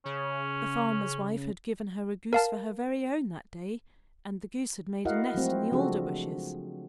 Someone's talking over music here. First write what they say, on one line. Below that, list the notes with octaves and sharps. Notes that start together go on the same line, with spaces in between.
The farmer's wife had given her a goose for her very own that day, and the goose had made a nest in the alder bushes.
C#3 C#4
A#4 F5 A5
E4 F#4 A#4 D#5 F5 F#5
F3 F#3 G#3 A3 C4 F#4
C#3 F3 D4 F#4 G#4 A4